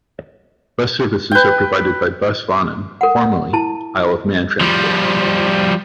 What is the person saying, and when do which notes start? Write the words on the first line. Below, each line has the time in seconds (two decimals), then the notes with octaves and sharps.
Bus services are provided by Bus Vannin, formerly Isle of Man Transport.
1.31 B4 G5
3.01 A#4 F#5
3.53 E4 A5
4.61 F3 G3